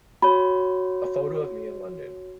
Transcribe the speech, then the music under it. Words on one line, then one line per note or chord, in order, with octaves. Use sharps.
A photo of me in London!
F#4 C#5 B5